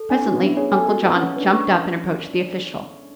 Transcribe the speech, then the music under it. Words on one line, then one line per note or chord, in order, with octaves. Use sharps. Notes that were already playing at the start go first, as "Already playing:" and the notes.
Presently Uncle John jumped up and approached the official.
Already playing: A4
D4 G#5
C#4
F#4
B3
D4 E4
G#4 C#5
A4 G#5
F#4 G#4
E4 B4
C#4
F#5
D4 B4
C#6
B4